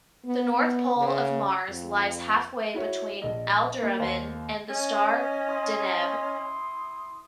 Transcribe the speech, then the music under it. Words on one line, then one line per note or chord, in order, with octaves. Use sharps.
The north pole of Mars lies halfway between Alderamin and the star Deneb.
B3
B3
C#3
F2
E4 F#4 C#5
A#1 D#5
A#3
D#2 C5 F5
C#4 D#5
E4 C6 D#6